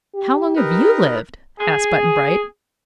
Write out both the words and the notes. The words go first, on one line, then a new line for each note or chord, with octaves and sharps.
"How long have you lived?" asked Button-Bright.
G4
D#4 G4 A#4 B4
G#4